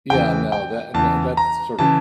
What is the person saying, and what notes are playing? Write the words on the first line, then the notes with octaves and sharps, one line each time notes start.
Yeah, no, tha and tha that's sort of
E2 C#3 E3 G5
G5
E2 C#3 E3 A5
A#5
C#3 E3 A5